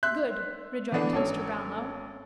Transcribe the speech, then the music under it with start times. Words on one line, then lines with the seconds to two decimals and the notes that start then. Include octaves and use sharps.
'Good!' rejoined Mr. Brownlow.
0.03 E5 C6 F#6
0.92 D3 E3 A3 B3 D4
1.13 G#1 C#4 A4 C#5